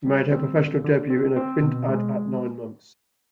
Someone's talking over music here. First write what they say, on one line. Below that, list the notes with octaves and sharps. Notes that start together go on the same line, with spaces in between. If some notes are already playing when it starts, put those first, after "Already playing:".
She made her professional debut in a print ad at nine months.
G3
C4
D3
D3
C4
C4
B2
G#3